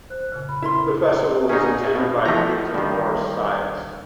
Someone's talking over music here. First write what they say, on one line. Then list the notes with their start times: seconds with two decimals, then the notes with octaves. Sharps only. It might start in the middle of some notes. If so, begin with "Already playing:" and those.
The festival is attended by hundreds of Morris sides.
0.10 C5 F#6
0.32 F2 A#2 C#3
0.49 B5
0.62 E4 A#4 C6
1.49 A#2 D3 C#4 D#4 G#4
1.95 B2
2.25 E3 F3 A3 A#5
2.74 G2 D#3